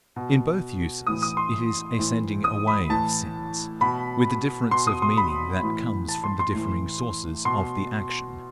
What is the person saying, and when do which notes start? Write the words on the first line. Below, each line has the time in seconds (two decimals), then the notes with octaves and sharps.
In both uses, it is a sending away of sins, with the difference of meaning that comes from the differing sources of the action.
0.16 B2
1.07 A2 E3 D#6
1.22 D#6
1.37 C6
1.99 A2 E3
2.44 D#6
2.67 B5
2.89 A2 E3 A5
3.81 B2 B5
4.71 B2 C6
4.87 D#6
5.02 C6
5.17 B5
5.63 A2 E3
6.09 A5
6.24 C6
6.39 C6
6.54 A2 E3
7.45 B2 C6